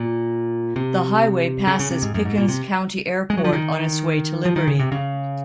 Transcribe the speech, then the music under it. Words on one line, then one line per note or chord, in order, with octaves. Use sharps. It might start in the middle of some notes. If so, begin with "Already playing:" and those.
The highway passes Pickens County Airport on its way to Liberty.
Already playing: A#2
C3
C#3
C#3
C3
G#2
F#2
G#2
A#2
C3
G#3
F#3
F3
D#3
F3
D#3
C#3
C3
C#3